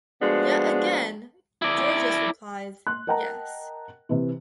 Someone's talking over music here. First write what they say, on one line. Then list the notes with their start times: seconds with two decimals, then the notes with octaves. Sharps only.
Yet again, Gorgias replies, yes.
0.22 F3 G#3 A3 B3 D4 F#4
1.62 E4 D5
2.87 C6 F#6
3.07 A#4 D#5 F#5 G5 A5 A#5
4.09 C3 E3